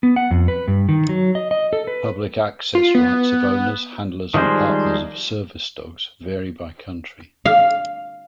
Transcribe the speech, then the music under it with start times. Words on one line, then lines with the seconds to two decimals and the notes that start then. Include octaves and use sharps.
Public access rights of owners, handlers, and partners of service dogs vary by country.
0.03 B3
0.16 F#5
0.31 F2
0.48 B4
0.68 G2
0.89 D#3
1.09 F#3
1.35 D#5
1.51 D#5
1.73 A4
1.87 B4
2.75 F4
2.95 B3
4.34 D#3 F3 G3 G#3 C5
7.45 F5